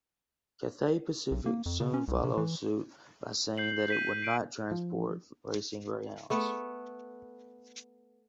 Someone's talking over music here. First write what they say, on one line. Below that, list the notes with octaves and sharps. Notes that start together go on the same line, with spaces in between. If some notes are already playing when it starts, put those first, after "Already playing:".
Cathay Pacific soon followed suit by saying that it would not transport racing greyhounds.
B1
A#3
F2
C#3
C#4
C2
C3
E3
G6 C7 F#7
G6 B6 D#7
C7 D7
F3
A3 B3